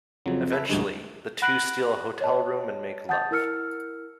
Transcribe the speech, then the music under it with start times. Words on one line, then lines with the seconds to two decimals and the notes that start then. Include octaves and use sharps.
Eventually, the two steal a hotel room and make love.
0.26 F2 C#3 F#3
0.52 A4 B4 E5
0.69 A1 D2 G2 G#3
1.42 F#5 B5 F#6 A#6 D7 F#7
2.21 C#5 D#5 A5
3.09 F#5 A5 D#6 G6 A6
3.31 E4 A#4 E6 F6 C#7